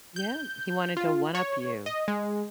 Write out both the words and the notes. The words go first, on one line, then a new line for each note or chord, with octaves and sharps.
Yeah. He wanted to one up you.
G6
F4
C#5
D#5
G#3